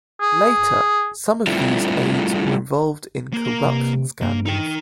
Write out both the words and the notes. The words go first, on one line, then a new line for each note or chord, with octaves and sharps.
Later, some of these aides were involved in corruption scandals.
G#4
G3 A3 C4 D4 E4 F4
A#3 A#4
C3
G2 A#3
D#4 G5